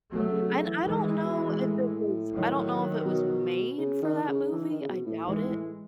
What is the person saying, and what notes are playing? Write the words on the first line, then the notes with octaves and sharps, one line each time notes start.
and I don't know if it was I don't know if it was made for that movie- I doubt it-
B2 F#3 A3
C#3
B2
C#3
E3
D#3 E3 G#3
B2
A2
D#3 F#3
B2
C#3
D#3
D#3
C#3
E3
D#3
C#3
B2
A2
G#2 E3 G#3
A2